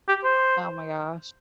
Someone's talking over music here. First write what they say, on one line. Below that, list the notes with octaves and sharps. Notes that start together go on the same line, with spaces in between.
Oh my gosh.
G4
C5